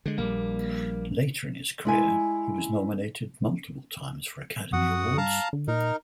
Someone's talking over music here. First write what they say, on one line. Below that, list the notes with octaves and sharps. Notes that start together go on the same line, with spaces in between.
Later in his career he was nominated multiple times for Academy Awards.
D3 G#3
A#1 G3 A#3
G#3 E4 G#5
F#2 F#4 F#5 D#6
G2 F5 A5 A#5
D3
A#2 D#4 A#4